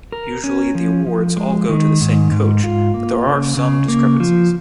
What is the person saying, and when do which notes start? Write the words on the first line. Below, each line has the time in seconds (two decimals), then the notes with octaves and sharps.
Usually the awards all go to the same coach but there are some discrepancies.
0.12 A#4
0.44 C#4
0.75 F3
1.06 F3
1.37 G#3
1.69 D#3
2.01 G#2
2.32 G#2
2.64 F4
2.94 A#3
3.27 C#3
3.57 C#3
3.88 A#3
4.20 F3